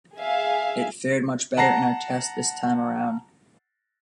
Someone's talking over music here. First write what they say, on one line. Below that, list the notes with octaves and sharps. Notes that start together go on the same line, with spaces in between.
It fared much better in our tests this time around.
G#4 E5 F5 G#5
F#5 A5 A#5 A#6 C7